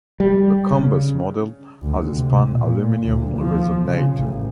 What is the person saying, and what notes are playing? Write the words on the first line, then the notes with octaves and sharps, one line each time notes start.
The Cumbus model has a spun aluminum resonator.
G3
C#3
D2
C3
A#2
D2
F3
C#3
A1